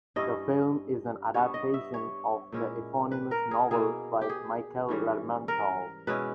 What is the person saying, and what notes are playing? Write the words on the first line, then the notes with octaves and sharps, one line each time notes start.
The film is an adaptation of the eponymous novel by Mikhail Lermontov.
G2 G3 C#4 E4 D#5
G2 G3 B3 C#5
D#5
E5
C#5
A#2 G#3 C#4 E4
B4
A#4
G#4
B2 A#3 E4 G#4
G4
G#4
G#2 E3 G3 C#4
A#4
B2 G#3 C#4 E4 B4